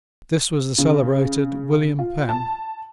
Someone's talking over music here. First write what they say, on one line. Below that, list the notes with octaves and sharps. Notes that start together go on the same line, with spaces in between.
This was the celebrated William Penn.
C#3
F4
A5